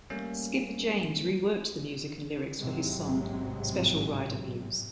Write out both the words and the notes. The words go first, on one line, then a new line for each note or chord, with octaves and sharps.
Skip James reworked the music and lyrics for his song "Special Rider Blues".
G3 A3 A#3 C#4
A1 G#2 C3 F#3 G#3